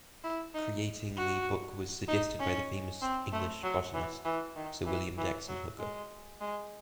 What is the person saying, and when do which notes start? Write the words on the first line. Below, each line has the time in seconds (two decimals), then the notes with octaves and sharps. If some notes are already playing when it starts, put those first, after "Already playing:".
Creating the book was suggested by the famous English botanist Sir William Jackson Hooker.
0.24 E4
0.54 D#4
1.16 F#4
2.08 D#4
2.39 C#4
3.01 C4
3.32 A3
3.63 F#3
3.94 E3
4.25 E3
4.56 D#3
4.86 E3
5.18 E3
5.48 F#3
5.79 G#3
6.41 G#3